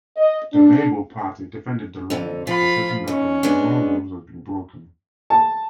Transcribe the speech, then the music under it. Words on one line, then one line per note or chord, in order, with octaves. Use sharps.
The Labour Party defended the loan, asserting that no rules had been broken.
D#5
D4
F2 D3
F3 F4 B5
D#2 C#4
G#3 B3 D4
A5